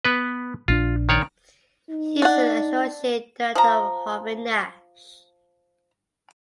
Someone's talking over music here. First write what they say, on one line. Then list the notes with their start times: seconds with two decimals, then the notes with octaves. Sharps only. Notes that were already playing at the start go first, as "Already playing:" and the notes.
He is an Associate Director of Harvey Nash.
0.05 B3 B4
0.68 A#1 C#4 D4 F4
1.09 D#3 C#5 D5
1.90 D#4
2.22 D4 F#5
3.55 F3 A#5